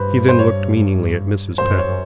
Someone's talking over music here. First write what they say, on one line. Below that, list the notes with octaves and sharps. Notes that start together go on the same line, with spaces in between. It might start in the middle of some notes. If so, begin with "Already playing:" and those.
He then looked meaningly at Mrs. Pett.
Already playing: G2 B4 C5
C5
C#5
F#2 C5
C#5